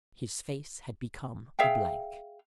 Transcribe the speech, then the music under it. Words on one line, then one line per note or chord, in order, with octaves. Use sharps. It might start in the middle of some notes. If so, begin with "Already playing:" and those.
His face had become a blank.
G#4 E5 F5 G5